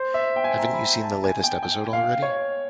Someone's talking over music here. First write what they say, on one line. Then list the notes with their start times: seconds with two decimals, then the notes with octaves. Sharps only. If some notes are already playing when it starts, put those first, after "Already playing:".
Haven't you seen the latest episode already?
Already playing: C5
0.14 E5
0.36 G5
0.44 G#5
0.59 A#5
0.74 B5
0.88 A#5
1.04 A5
1.24 G#5
1.44 G5
1.63 G5
1.93 F5
2.22 C#5